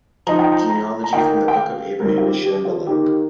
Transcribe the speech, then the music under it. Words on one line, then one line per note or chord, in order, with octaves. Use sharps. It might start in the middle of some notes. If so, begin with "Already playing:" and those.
Genealogy from the Book of Abraham is shown below.
F3 D#4 A#5
G5
A#5
A#5
A#5
D#3 A#3 D#4 G5
G5
F5
D#3 G3 C4 A#4
F4
G4
G4
F4
D#3 A#3 D#4 G4